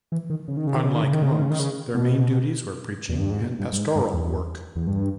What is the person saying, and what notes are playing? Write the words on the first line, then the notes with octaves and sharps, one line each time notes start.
Unlike monks, their main duties were preaching and pastoral work.
E3
D#3
C#3
D#3
C#3
D#3
C#3
D#3
C#3
D#3
C#3
D#3
C#3
D#3
C#3
B2
E2
G2
G#2
A#2
G2
G2
G#2
G2
E2
E2
G2